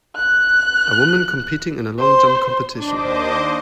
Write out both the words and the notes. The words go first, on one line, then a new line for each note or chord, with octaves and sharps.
A woman competing in a long jump competition.
F#6
C5
D#2 D4 C5 D#5 D6